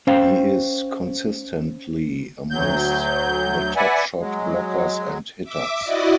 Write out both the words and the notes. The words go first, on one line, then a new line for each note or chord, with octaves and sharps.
He is consistently amongst the top shot blockers and hitters.
C#4 C5 F5 G5
D2 F#3 G6
B4 D5 E5 F#5 G#5
F#3 G#3
E5 D6
E4 F#4 D5 D#5